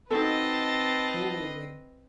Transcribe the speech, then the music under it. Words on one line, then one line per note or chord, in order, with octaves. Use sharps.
Who will win?
C4 D#4 F#4 A4 B4 D#5 A5